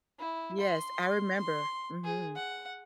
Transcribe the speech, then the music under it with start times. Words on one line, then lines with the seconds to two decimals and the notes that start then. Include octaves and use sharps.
Yes, I remember. Mhm.
0.19 E4
0.60 C6
1.38 C6
2.04 G#4
2.36 F#5